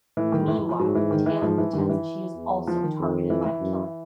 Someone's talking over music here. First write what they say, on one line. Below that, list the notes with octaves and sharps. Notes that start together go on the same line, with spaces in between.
Meanwhile Taylor pretends that she is also targeted by the killer.
A2 E3
D#3
E3
E3
F3
G#2 F#3
E3
D#3
E3
G#2 F3
E3
G2 D#3
E3
E2
F3
D#3
F2
E3
E3
F#2